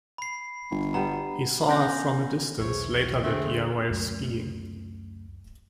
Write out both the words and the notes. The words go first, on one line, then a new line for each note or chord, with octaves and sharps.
He saw her from a distance later that year while skiing.
B5 C7
G1
G3 B3 A#5
B3 C#4 G#5 G6 A#6
B1 E2 C5 C#5
D3 A3 C4 G#4
C#2 F#2 A3